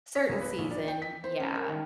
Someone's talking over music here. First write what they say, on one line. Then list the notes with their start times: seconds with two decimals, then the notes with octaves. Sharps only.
Certain season, yeah.
0.15 B6
0.29 B1
0.41 B4
0.58 A#1
0.71 D5
0.88 G5
1.02 B6
1.24 C5
1.40 C#4
1.55 A#4
1.69 D#3